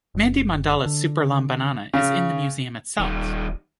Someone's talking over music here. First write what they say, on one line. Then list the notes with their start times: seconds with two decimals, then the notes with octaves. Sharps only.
Mandy Mandala Superlambanana is in the museum itself.
0.15 F#1
0.86 D3
1.94 C#3
2.99 D#1 D#3 G3